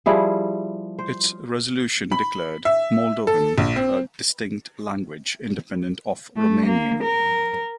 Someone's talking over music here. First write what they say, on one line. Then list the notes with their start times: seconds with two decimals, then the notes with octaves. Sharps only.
Its resolution declared Moldovan a distinct language independent of Romanian.
0.06 F3 G3 E4 G#4
0.99 C5
2.12 B5
2.65 E5
3.27 A4
3.58 A#1
3.76 C4
6.36 A3
6.67 A#3
7.03 A#4